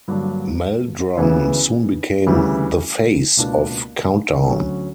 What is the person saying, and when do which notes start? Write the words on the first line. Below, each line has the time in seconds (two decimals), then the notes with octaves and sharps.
Meldrum soon became the "face" of "Countdown".
0.08 G2 D3 F#3 A#3 D4
1.17 D2 C#3 E3 B3
2.27 D2 C#3 E3 G3
3.37 C#2 B2 A#3 D4
4.46 D2 D3 F#3 C#4 F#4